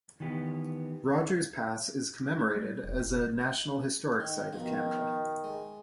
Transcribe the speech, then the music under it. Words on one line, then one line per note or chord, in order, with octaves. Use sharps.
Rogers Pass is commemorated as a National Historic Site of Canada.
D#3 E3 B3 G4
A3
G3
F1
F#1
D#3
B2 D#3 F3
G#3